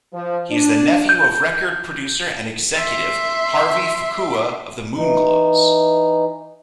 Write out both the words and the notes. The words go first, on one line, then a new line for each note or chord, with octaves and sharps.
He is the nephew of record producer and executive Harvey Fuqua of The Moonglows.
F3
D4
G6
E5 C6
E3 D#4